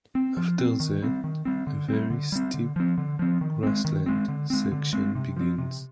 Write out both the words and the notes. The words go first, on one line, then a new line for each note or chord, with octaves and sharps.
After that, a very steep grassland section begins.
C4
F3
C4
D#3
G3 C4
D#3
G3 C4
D3
G3 C4
D3
G3 C4
D3
F3 C4
D3
F3 C4
D#3
G#3 C4
D#3
G#3 C4
D3
G#3 C4
D3
G#3 C4
C3
F3 C4
C3